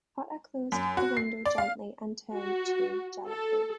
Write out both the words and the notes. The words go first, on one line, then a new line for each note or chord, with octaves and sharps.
Potter closed the window gently and turned to Jellicoe.
F#2
F#4
C7
D5
F5
F#4
A4